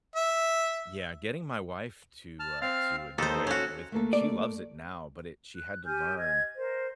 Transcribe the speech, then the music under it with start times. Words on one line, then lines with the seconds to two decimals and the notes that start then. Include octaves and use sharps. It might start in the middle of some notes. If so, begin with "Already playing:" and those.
Yeah, getting my wife to, uh, to enjoy it with me, I mean- she loves it now- but it she had to learn
0.16 E5
2.40 A5 F6
2.62 C4 F5 F6 A6
3.18 D#2 D#4 A4 C5
3.47 C#4 F#4
3.92 A3 A#3 A4
4.13 D5
5.55 F#6
5.85 G4 G#5 F6 G6
6.17 D#5 G#6
6.56 A#4 C5